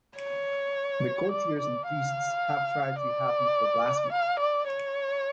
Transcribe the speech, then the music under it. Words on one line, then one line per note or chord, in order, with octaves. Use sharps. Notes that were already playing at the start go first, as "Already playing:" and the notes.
The courtiers and priests have tried to have me for blasphemy.
C#5
D5
D5
F5
D5
F5
D5
C#5